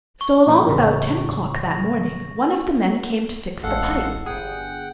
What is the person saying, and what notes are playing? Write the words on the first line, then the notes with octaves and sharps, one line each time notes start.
So along about ten o'clock that morning one of the men came to fix the pipe.
C#6
A#2 F3
A1 C#3
A#6
A1 G#3 A4 F5 F#5
G1 G#4 F#5 G5